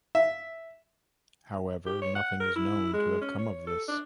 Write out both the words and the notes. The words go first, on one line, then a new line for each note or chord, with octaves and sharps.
However, nothing is known to have come of this.
E5
G4
C#5
F#5
A#4
E4
G#3
C#4
C#5
A4
D4